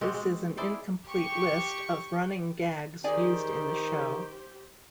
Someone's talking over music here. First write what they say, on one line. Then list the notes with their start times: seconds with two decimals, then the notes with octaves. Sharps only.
This is an incomplete list of running gags used in the show.
0.01 G#3 C4 F#4 G4
0.14 G#3
0.57 E4 G#4 C5 D5
1.07 G4 C#6
3.04 D#3 G4 G#4 C5 D5 G#5